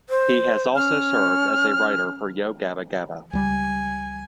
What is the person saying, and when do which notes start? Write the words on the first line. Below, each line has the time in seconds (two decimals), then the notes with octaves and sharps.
He has also served as a writer for Yo Gabba Gabba!
0.10 C5
0.76 C#4 F6
3.33 C#2 G3 G#5